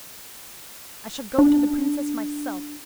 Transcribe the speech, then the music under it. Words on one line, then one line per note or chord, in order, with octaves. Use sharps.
I shall go to the princess myself.
D4